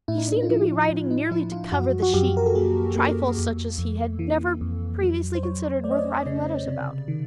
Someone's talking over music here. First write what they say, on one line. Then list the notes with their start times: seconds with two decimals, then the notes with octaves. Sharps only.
He seemed to be writing merely to cover the sheet, trifles such as he had never previously considered worth writing letters about.
0.08 A2 E4
0.18 D#4
0.28 D4
0.37 D#4
0.43 F4
0.49 F3 E4
0.89 A2
1.10 D#4
1.31 F3 E4
1.52 F4
1.72 F#2 F#4
2.02 F#4
2.14 F#2 G4
2.37 A#4
2.46 A4
2.55 A#3 G#4
2.95 A#3 A4
3.38 F2
3.78 F2
4.19 E3
4.61 F2
5.01 F#3
5.35 C5
5.43 F#3 C#5
5.84 A3 D5
5.91 D#5
5.99 D5
6.26 C#3
6.66 C3
7.08 D#3